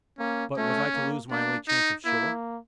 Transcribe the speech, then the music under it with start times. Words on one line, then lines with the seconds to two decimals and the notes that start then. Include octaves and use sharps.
But was I to lose my only chance of shore?
0.18 A#3 C#4
0.57 A3 C#4
0.94 A#3
1.31 A#3 D4
1.68 D#4
2.05 A#3 E4